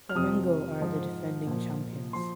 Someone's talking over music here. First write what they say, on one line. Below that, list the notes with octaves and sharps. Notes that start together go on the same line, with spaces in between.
Flamengo are the defending champions.
F6
F2 C3 F3 D#6
G#2 F3
A#2 F3
F3 C6